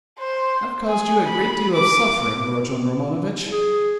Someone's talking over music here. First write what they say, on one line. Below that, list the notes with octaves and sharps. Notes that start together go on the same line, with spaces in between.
I've caused you a great deal of suffering, Rodion Romanovitch.
C5
G#4
B5
D6
G#4